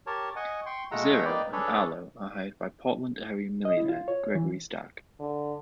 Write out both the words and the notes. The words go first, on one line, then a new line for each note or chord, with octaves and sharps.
Zero and Arlo are hired by Portland area millionaire Gregory Stark.
G4 A#4 C#5 A5
D#5 F#5 G#5 C#6
G5 C6 C#6
G#3 A3 F4 F#5 A#5 E6
A#3 D#4 B4 D5 G5
D4 G#4 A4 B4 C#5
D#5
E4
F4
C#5
E3
D3